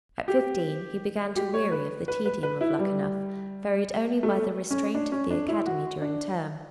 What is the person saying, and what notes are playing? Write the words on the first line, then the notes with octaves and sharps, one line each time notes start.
At fifteen he began to weary of the tedium of Luckenough, varied only by the restraint of the academy during term.
G4
G4
C#5
B4
B4
B4
B4
E4
G3
A3
C#4
D4
C#4
D4
E4
F#4
D4